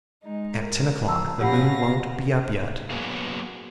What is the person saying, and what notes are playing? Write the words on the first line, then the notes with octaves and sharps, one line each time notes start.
At ten o'clock the moon won't be up yet.
G#3 D#4
A#4
F3 A5 A#5 E6
C#4 G4 F5 F#5 B5 A#6
F#3 A#3 B3 F#4 G#4 F5